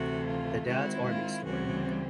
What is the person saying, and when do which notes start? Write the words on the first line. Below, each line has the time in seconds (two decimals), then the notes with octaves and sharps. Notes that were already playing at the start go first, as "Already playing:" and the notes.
The Dad's Army Story.
Already playing: D2 C3 E3 A3 F#4
0.27 F4
0.65 D#3 G#3 C4 E4 F#4
1.05 F4
1.43 D2 C#3 E3 G3 C4 F#4